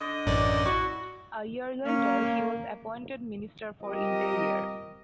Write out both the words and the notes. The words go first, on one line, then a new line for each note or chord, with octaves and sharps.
A year later he was appointed Minister for Interior.
D3 D#5
A1 F#2 D5
E4 F#4
A#3 C#4
G3 C4 F4 G4 A#4 D#5